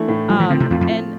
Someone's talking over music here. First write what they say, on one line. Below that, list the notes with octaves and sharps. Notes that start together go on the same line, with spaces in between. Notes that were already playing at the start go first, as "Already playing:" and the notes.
Um, and
Already playing: E3 A3 D4
A2
F3 G3
E3
D3 C4
C3
E2 F4
F2
F3